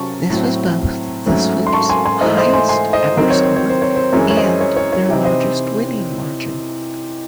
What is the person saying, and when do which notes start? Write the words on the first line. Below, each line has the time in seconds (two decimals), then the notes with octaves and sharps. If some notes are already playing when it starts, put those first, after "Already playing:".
This was both the Swifts highest ever score and their largest winning margin.
Already playing: C3 F#3 C#4 A5 C#6
0.30 A2 F#3 C4
1.26 G#2 F#3 A3 C#4
1.67 C6
1.73 A5 C#6
1.89 G#5 C6
2.05 G#5 C6
2.21 G#2 E3 A3 C5 D#5
2.37 C5 D#5
2.53 G#5 C6
2.69 G#5 C6
2.93 C5 D#5
3.17 D#3 F#3 C4 D#4 C5
3.30 C#5
3.43 C5
3.56 C#5
3.70 C5
3.82 C#5
3.96 C5
4.13 F#2 E3 G#3 C#4 C#5
4.30 C#5
4.37 C5 D#5
4.61 C#5
4.76 C#5
4.93 C#5
5.09 C3 E3 C4 D#4
5.25 C5 D#5